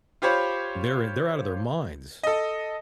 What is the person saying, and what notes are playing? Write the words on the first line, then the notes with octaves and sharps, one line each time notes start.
They're in they're out of their minds.
F4 G4 C5 C#5 B5
A4 D#5